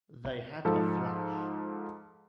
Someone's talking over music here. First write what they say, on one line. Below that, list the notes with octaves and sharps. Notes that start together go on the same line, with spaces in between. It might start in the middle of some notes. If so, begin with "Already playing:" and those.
They had a flash.
G#2 F3 A4